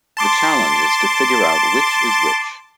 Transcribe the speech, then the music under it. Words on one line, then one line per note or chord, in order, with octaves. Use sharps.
The challenge is to figure out which is which.
A5 C6 D6